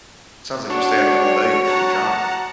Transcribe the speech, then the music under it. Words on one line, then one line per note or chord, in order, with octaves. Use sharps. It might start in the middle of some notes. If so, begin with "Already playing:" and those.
it sounds like you stay active all day with your job.
D4 F#4 C#5
F#5 A5 A#5